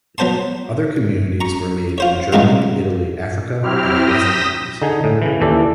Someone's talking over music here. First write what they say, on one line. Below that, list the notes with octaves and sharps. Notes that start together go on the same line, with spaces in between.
Other communities were made in Germany, Italy, Africa and the West Indies.
F#3 B3 C5 A5 C6
A#5 C#6
F4 C5 C#5
G2 C#3 F#3 G#3 E4 F4
F#3 C4 E4 G4 F6
D#6 G6 A#6 B6 E7
D3 D#4 G#4
A2
C#3 E3
D#2 E3 A4 D5